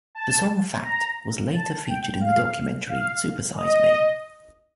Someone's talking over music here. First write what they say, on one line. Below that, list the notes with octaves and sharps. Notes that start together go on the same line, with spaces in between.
The song "Fat" was later featured in the documentary "Super Size Me".
A5
A#5
A5
G5
F5
F5
D#5